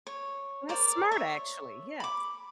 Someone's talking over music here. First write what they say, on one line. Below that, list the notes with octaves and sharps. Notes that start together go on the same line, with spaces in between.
That's smart actually, yes.
C#5
A#4 C5 D5
C#5 E5
B5 D6